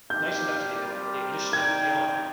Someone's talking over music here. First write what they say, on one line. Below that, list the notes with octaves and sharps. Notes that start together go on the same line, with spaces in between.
Later that year, he enlisted in the army.
A#3 D4 G4 D5 F5 G6
G3 C4 G4 A#4 D5
D#4 A#4 D5 G5 G#6